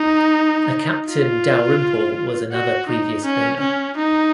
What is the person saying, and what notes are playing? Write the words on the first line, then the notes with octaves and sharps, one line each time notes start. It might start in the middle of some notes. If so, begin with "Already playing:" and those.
A Captain Dalrymple was another previous owner.
Already playing: D#4
F4
F#4
D#4
C#4
C#4
D#4